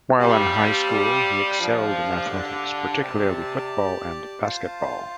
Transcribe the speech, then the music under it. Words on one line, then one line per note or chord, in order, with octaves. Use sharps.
While in high school he excelled in athletics, particularly football and basketball.
G3 C4 G4 F5 A5
G3
F3 D4 G4 F5 A5
D3
C3 G4 D5 A5
F4 C5 F5 A5